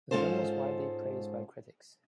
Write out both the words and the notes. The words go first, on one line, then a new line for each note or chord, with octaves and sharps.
The film was widely praised by critics.
G#2 G#3 C#4 F4 A4 C5